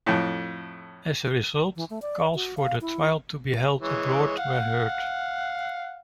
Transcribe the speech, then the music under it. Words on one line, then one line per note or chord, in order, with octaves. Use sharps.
As a result, calls for the trial to be held abroad were heard.
F2 A2
E3
A3
D5
F#4
F5
E4
E3 G#3 C#5
F5 F#5